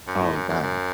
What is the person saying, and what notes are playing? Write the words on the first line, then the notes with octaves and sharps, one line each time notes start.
Oh, god.
F#2
A2
F#2
F#2
F#2